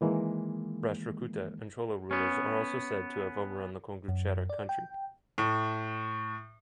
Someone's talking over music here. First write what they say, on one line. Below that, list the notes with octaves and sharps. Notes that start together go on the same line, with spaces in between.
Rashtrakuta and Chola rulers are also said to have overrun the Kongu Chera country.
D#3 E3 G#3 A#3
B3 C#4
F#2
D5
G5
A2